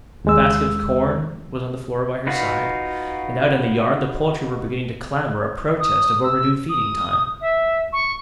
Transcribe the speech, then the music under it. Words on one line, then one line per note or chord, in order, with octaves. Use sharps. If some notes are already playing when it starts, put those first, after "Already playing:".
A basket of corn was on the floor by her side, and out in the yard the poultry were beginning to clamour a protest of overdue feeding-time.
D#2 G#3 E6
D#4 F4 F#4 A#4 B4
D#6
E6
D#6
E5
C#6